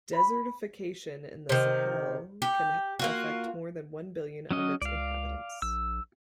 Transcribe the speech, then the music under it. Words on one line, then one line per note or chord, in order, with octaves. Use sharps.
Desertification in the Sahel can affect more than one billion of its inhabitants.
B5
C3 D#3
G4
A#3 F4 F#4
F#3 C#4 D#5
C#2 D5 F5
A#1 E6